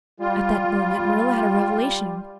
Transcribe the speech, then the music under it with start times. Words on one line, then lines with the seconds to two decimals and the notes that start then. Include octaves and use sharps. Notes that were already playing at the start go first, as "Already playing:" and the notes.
At that moment Marilla had a revelation.
0.20 G3 F4